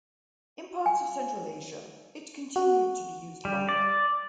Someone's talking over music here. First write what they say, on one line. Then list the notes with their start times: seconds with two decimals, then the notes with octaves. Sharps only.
In parts of Central Asia, it continued to be used longer.
0.86 G#5
2.56 F#4
3.45 G3
3.69 D5